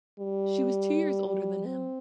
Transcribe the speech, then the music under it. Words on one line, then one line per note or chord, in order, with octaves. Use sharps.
She was two years older than him.
G3
C4